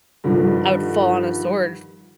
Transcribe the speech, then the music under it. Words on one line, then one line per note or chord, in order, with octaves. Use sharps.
I would fall on a sword f
G2 D3 D#3 F3 G3